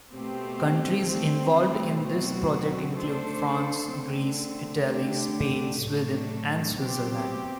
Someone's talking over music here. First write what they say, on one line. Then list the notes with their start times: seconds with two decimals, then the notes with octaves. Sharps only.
Countries involved in this project include France, Greece, Italy, Spain, Sweden and Switzerland.
0.11 B2 A3 C4 G4
1.07 D3 A3 C4
2.01 B2 F#3 A3 C4 F#4
2.97 A3 D4 A4 C5
3.92 D3 A3 C4
4.87 D3 A3 D4 G4
5.83 A2 F#3 A3 D4
6.78 B2 F#3 C4 G4